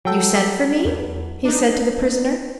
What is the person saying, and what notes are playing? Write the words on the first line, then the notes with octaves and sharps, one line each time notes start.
"You sent for me?" he said to the prisoner.
F#3 A4 G5
E2
D4 D#4